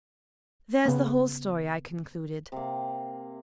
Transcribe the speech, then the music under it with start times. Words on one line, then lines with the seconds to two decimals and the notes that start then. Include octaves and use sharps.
"There's the whole story," I concluded.
0.86 C#3 B3
2.52 C3 A#3